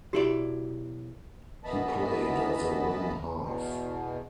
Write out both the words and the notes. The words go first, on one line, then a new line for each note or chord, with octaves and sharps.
He played as a wing half.
B1 E4 F#4 G4 D5
F#2 E3 B3 D#5 A5 B5
E2 B2